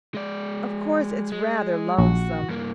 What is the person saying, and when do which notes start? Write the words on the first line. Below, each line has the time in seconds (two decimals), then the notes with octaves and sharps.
Of course, it's rather lonesome.
0.15 G#3 D5
1.32 G#3
1.99 A#1 F#4
2.49 G2 A#3